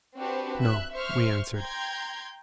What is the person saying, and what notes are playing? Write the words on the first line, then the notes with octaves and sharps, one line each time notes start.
"No," we answered.
C4 D4 F#4 G4 B4 C5
E5 F#6
C5 E5 C6 C#6 F6
G5 A#5 C6 G6 G#6